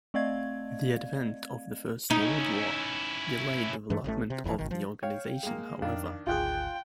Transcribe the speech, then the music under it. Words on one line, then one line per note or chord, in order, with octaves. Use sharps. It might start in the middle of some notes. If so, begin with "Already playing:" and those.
The advent of the First World War delayed development of the organisation, however.
A3 C4 D5 D#5 F5 G#6
C#4 D#4 E4
G2 E3 A3
A1 A2 C#3 A3
C3
F#1 F2 C3 E3
G#1 D#3
F3
C#5 F5 G5
G#3 A#3
F2 D#3 D4 F5
G#1 D2 F4 G#4 G5 F#6